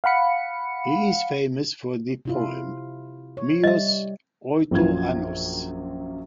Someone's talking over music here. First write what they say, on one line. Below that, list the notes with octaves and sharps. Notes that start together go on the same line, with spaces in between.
He is famous for the poem "Meus oito anos".
F5 F#5 B5 C#7
C3 E4 F4
C#5
G3 D#5 E5
A#1 F#2 F#3 F4 G#6